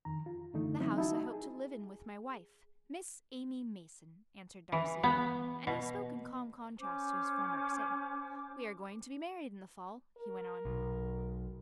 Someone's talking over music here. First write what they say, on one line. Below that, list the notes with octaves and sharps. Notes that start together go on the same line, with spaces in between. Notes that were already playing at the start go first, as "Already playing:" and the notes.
"The house I hope to live in with my wife--Miss Amy Mason," answered Darcy, and he spoke in calm contrast to his former excitement, "We are going to be married in the fall," he went on.
F2 D#3 A#5
F4
F#2 D3 E3 A3 D#4
F#3 C4 C#4 D#4 E4
D#4 E4 F#4 D#5 A5
G#4
E3
B3
B2
C#4 C5 D6
A#4
B1